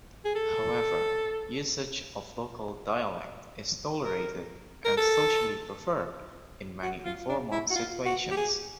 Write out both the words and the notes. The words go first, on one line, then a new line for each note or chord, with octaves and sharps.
However, usage of local dialect is tolerated and socially preferred in many informal situations.
G#4
A4
A#4
A#4
A4
F#4
F4
D4
E4
F#4
F4
F#4
G4
G#4